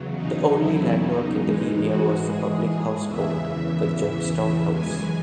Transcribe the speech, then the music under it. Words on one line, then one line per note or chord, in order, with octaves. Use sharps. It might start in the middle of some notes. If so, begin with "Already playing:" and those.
The only landmark in the area was the public house called the Jobstown House.
Already playing: E2 C#3 F#3
D#4
E4
D#4
G#2 E3 G#3 D#4
F#4
G#4
E2 C#3 E3 E5
F#2 E3 G#3 G#5